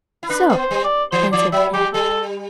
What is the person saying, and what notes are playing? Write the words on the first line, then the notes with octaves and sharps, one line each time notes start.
"So," answered the abbe.
E4
D4 B4
B3
C5
G3 C5
D5
E3 C5
E3 D5
F#3 E5
G3 G4
G3 A4